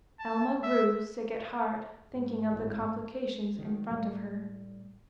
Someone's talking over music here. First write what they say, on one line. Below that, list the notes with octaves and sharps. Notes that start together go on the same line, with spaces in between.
Alma grew sick at heart thinking of the complications in front of her.
A5
E5
G#2
G#1 A2
D#3 F#3
A2 G3 A3